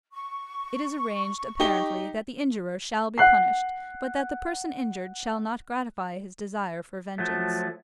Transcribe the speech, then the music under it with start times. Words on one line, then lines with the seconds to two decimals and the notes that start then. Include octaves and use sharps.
It is arranged, apparently, that the injurer shall be punished, but that the person injured shall not gratify his desire for vengeance.
0.13 C#6
1.60 D#4 G4 G7
3.18 F#5 F#6 C7
7.18 F3 F#3 A3